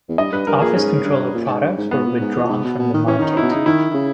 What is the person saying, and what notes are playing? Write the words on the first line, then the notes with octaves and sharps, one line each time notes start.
Office controller products were withdrawn from the market.
E2
G2 D#5
G2 B4
G2 A#4
A#2 G#4
G#2 C#4
G2
A#2
G#2
G2
G#2
G#2 B3
A#2
G#2
E2
A#2
G#2
B2
B2
D#3
E3 C#4
D#3 D#4
E4
B2
C#3 D#4
D#3 E4
D#3
C#3